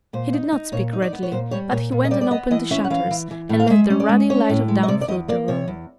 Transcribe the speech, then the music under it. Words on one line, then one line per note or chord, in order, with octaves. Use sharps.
He did not speak readily; but he went and opened the shutters, and let the ruddy light of dawn flood the room.
A#2 C5
D#4
D#4
A#2 C#5
D#4
D5
B3
C#5
A#2 C5
G3 C#5
A#2 C#5
A#2
D#5
G3 D5
D5
B3 D#5
E3 D#5
C#4 E5
F#5
E3 F5
E3
E3
A2
F5
G#3 E5
C#4
D5
G#3
C#4 C#5
A2
G#3
D#5
C3 D5
D5
E2 D#5
A#3 D5
C3 C#5
E2